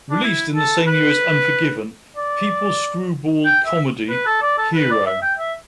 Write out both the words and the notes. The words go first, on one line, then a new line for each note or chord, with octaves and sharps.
Released in the same year as "Unforgiven", Peoples' screwball comedy "Hero".
D4
E4
A4
B4
D5
G5
E5
B4
A4
D5
A4
B4
D5
E5
G5
E5